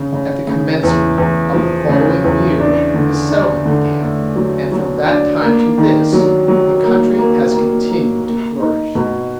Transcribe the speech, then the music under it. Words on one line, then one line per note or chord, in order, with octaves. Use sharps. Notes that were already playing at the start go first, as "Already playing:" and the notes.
At the commencement of the following year the settlement began; and from that time to this the country has continued to flourish.
Already playing: C#3
C#3
C#3
E2
E2
F3
C#3
E2
D4
D3
D4
D3
A3
F#3
F#3
D4
A#3
D#3
F#3
F#3
A#3
A#3
A#3
A#3
A#3
D#4
B2